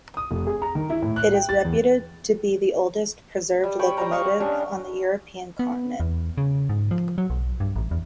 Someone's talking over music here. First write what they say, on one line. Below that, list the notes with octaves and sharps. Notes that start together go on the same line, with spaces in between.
It is reputed to be the oldest preserved locomotive on the European continent.
D#6
F1
G#4
A#5
D#3
E4
A2
F#6
G5
A6
E2
G3
C#5 G5 B5
G3 A#5
D#5 F5 C#6
G3 C#4 D4
B3
E2
C#3
G#2
F3
F#3
B1
G2
A1
E2